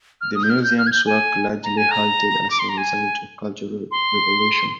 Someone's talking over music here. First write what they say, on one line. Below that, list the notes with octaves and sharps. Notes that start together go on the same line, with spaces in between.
The museum's work largely halted as a result of the Cultural Revolution.
F6
D#6
G6
F6
G6
F6
G#6
G6
G#5
A#5
G#5
A#5
D6
C6
A#5
G#5
C6